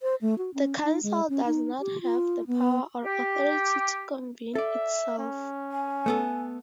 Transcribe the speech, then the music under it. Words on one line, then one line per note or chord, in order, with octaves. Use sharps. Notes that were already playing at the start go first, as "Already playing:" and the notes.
The council does not have the power or authority to convene itself.
C5
A3
F#4
C#4
D#4
G#3
C#4
D#4
G4
F4
B3
G4
A4 D5 E5
C#4
G#5
A3 B3 A4